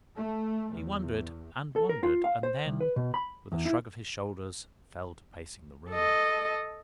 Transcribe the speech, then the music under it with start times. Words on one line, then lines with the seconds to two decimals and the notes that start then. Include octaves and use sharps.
He wondered and wondered, and then, with a shrug of his shoulders, fell to pacing the room.
0.16 A3
0.74 E2
1.76 A4
1.89 A#4
2.03 F4
2.24 F5
2.43 C5
2.66 C2
2.81 B4
2.96 B2
3.14 B5
3.52 E2
3.66 E4
5.91 A4 D#5